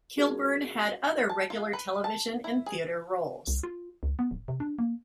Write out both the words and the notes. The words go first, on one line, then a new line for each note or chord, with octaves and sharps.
Kilburn had other regular television and theatre roles.
G#3 C#4 F4 F#4 G#4 A#4
A5
F4
B4
A5
E4
G#4
C2
F4
C#2
B3
D1
C3
D4
A#3